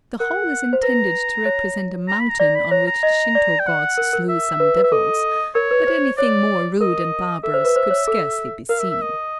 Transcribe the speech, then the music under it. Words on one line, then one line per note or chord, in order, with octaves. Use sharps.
The whole is intended to represent a mountain on which the Shinto gods slew some devils, but anything more rude and barbarous could scarcely be seen.
A#4 F#5
C5
B4 A#5
C#5
A#5
B5
A#5
D5 A#5
B5
C#5 A#5
A#5
D#5
D5
G5
F#5
A#4
A#4
E5
B4
B4
E5
A4 D#5
A#4 C#5
B4
C5
C#5 D5
A#4 D#5
A4 E5
C5
B4
C5
C#5
A4
A#4 F5
E5
E5
D#5